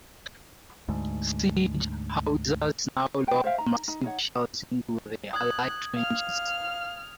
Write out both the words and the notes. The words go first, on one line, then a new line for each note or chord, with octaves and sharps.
Siege howitzers now lobbed massive shells into the Allied trenches.
D2 G#2
B4 G5
C5 E5 F5 G5
D#4 A#5
D#4
D#4 C#5 F#5
D#6 F#6 G#6
F5 F6